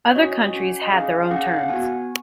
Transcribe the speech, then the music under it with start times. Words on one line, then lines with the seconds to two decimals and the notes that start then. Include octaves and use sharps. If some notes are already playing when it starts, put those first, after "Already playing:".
Other countries had their own terms.
0.08 C#5
0.16 C#4 F#4 D#5
0.54 C#4 F#4
0.82 D#5
0.93 C#4 G#4 F5
1.23 F5
1.31 C#4 G#4 F#5
1.47 F5
1.59 F#5
1.69 B3 F#4 G#5